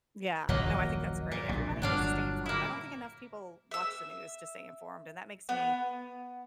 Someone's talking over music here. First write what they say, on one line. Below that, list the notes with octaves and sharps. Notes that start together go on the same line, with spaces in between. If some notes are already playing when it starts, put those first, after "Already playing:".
Yeah. No, I think that's great. Everybody needs to stay informed, I don't think enough people watch the news to stay informed, and that makes me
D#1 A#1 F#2 F#3 A#3 D#5
A#2
A#1 C3
G1 F#3 D4 F5
A#3 E4
E5 E6
B3